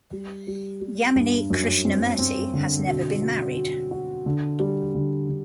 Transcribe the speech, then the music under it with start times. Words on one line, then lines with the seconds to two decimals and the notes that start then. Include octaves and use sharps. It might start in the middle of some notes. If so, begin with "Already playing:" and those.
Yamini Krishnamurthy has never been married.
0.13 G3
0.47 G3
0.81 G3
1.15 G2
1.50 F#2
1.85 C4
2.19 C4
2.54 D3
2.88 B2
3.22 F#4
3.57 F#4
3.91 F#4
4.26 D3
4.60 G3
4.95 D3
5.29 D3